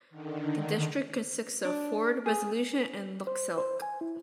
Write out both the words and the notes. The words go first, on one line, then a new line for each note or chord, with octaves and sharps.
The district consists of Fort Resolution and Lutselk'e.
D3 D#3
D4
G#4
C5
C5
G#5
E4